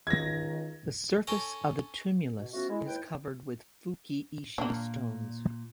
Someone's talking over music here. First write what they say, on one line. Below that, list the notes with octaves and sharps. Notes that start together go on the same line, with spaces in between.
The surface of the tumulus is covered with "fukiishi" stones.
C#2 D#3 G#6 A#6
C#4 A4 C#5 G5 A#5
B2
F3 A3 B3 C#4 F#4
G#3 E4
D#2 E4 B4 G5
A#2 A#3 D4